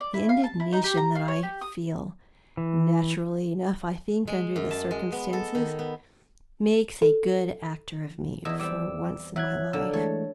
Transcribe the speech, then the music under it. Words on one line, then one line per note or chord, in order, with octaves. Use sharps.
The indignation that I feel--naturally enough, I think, under the circumstances--makes a good actor of me for once in my life.
D5
E4
F5
A5
E4
D#4
G4
A#5
F5
C#5
G4
D#6
E3
G#3
F#2
A5
G#3
B3
A4
D#3
B3
A4
E2 E4 D5 D#5 E6
G3 C4 D6 E6
F#3 E5 F#6 G#6
D3 A#3 E6
E3 G#3 A3 A4 C#5